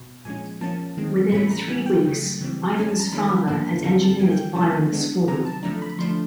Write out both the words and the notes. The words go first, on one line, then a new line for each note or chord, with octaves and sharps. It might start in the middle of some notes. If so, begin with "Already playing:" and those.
Within three weeks Ivan's father had engineered Biron's fall.
Already playing: B2
A#2 F3 G#3 C#4 G#5
F3 A#3 C#4 A5
D#3 G#3 C4
A2 E3 A3 C#4 B5
A#5
E3 G3 B3 G#5
G5
C#3 F#3 A3
C#3 E3 G3 C4
F3 G#3 C#4 G#5
A5
A#5
D#3 G3 A#3 C#4 B5
A2 F3 A#3 D4
D3 G3 C4 A#5
A5
D#3 G3 A#3 G#5
G5
C3 F3 A3 C#4 A5
E3 G#3 B3 D4
C3 D#3 F#3 A#5
A5
D3 F3 A3 D4 A#5
B5
F3 A3 D4 C6